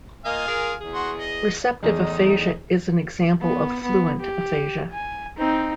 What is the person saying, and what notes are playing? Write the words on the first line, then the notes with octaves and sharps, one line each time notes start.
Receptive aphasia is an example of fluent aphasia.
A#3 F4 D#5 F5 G#5
G#4 A#4
E2 G#4
F#4 C6
D#5
E2 A2 G#3 D#4 D#5
B3
B3
G4
G#5
C4 D#4